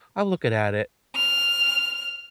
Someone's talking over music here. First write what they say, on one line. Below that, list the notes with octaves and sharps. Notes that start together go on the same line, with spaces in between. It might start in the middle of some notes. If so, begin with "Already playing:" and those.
I'm looking at it.
F6